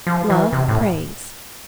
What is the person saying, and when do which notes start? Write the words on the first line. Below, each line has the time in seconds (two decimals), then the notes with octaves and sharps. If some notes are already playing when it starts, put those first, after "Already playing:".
Love prays.
0.07 F3
0.30 E3
0.53 C3
0.68 A2